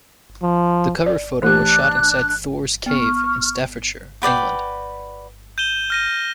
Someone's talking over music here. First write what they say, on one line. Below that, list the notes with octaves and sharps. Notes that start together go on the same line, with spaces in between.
The cover photo was shot inside Thor's Cave in Staffordshire, England.
F3
D5
E3 A3 D4 G4 F#6
B3 C#6 F6
F#4 B4 D5 G5
G6 D#7 E7 G7
F6 A#6 D#7